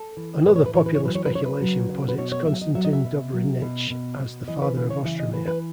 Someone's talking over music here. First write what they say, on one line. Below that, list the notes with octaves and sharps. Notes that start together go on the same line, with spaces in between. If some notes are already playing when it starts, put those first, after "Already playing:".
Another popular speculation posits Konstantin Dobrynich as the father of Ostromir.
Already playing: A4
E3
A2 B4
C#5
B4
E3 C#5
B4
C#5
F#3 B4
C#5
B4
C#3 C#5
B4
F#3
C#3
B4
B2 C#5
C#5
F#3 E5
D#5
F#3 E5
D#5
E5
B2
F#3
B2
B2
B2
E3 D#5
B4
C#3 B4
C#5
E3 E5
D#5
E3 B4
B4